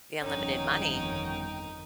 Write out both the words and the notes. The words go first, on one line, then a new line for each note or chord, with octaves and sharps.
The unlimited money,
G1 F2 D#3 F#3 C#4 D#4 G5